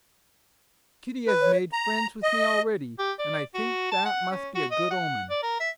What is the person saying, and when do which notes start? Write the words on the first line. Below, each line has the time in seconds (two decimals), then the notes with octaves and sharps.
"Kitty has made friends with me already, and I think that must be a good omen."
1.27 B4
1.41 C#5
1.73 A#5
2.23 D#5
2.99 G4
3.19 D5
3.54 F#4
3.92 A5
4.05 F#5
4.31 C#4
4.55 F#4
4.71 D#5
4.91 F#5
5.30 D5
5.43 A#4
5.60 E5